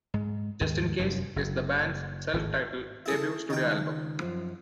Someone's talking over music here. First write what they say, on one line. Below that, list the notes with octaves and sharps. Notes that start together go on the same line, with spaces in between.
"Justincase" is the band's self-titled debut studio album.
G#2
D#2 G#2 D#3 G#3
F1 F#2 F3
F#1
G#1 A2
E4 G#4 A4
C#2 D#3 D#4 G5
F#2 F3